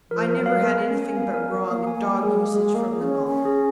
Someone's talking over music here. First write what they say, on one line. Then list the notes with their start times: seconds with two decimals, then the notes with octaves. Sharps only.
I never had anything but wrong and dog-usage from them all.
0.10 F3 A#4
0.28 A#4
0.37 F#3
0.46 F5
0.63 B3 A#4
0.82 A#4
0.90 C#4
0.99 G#5
1.16 B3 F5
1.34 A#4
1.51 A#4
1.70 A#3 F5
1.87 G#5
1.95 A#3
2.05 A#4
2.22 G#3 G#4
2.40 F5
2.49 G#3
2.58 G#5
2.75 A#3 F5
2.93 G#4
3.01 C#4
3.10 C#5
3.27 C#4 C#5
3.45 G#4